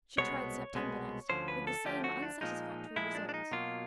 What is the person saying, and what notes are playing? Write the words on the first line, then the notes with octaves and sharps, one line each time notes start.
She tried September, next--with the same unsatisfactory results.
C2 B2 G#3 B3 C#5
C2 B2 G#3 B3
D2 D3 F3 C#4 C5
B4
A4
D2 D3 F3 A3 C#4 G4
F#4
D4
A#2 F3 G#3 D#4
A#2 F3 G#3 E4
D4
D4
D#4
B2 F#3 A#3 F4